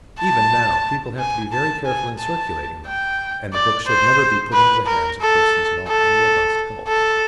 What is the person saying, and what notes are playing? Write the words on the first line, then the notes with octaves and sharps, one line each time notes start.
Even now people have to be very careful in circulating them, and the books should never be put into the hands of persons not in robust health.
A5
G#5
A5
G#5
A5
G5
D5
C5
B4
A#4
A4
A4
A4